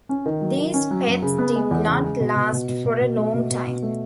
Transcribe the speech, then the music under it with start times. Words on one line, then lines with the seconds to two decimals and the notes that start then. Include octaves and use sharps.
These pets did not last for a long time.
0.09 C#4
0.26 D#3
0.41 F#3
0.57 D#3
0.74 C#4
0.91 F#3
1.07 F#2
1.22 C#3
1.38 B3
1.55 G#3
1.71 E2
1.88 C#3
2.04 G#3
2.20 B2
2.36 B2
2.52 B2
2.69 B2
2.85 B2
3.01 B2
3.17 A3
3.33 B2
3.50 B2
3.67 B2
3.83 A3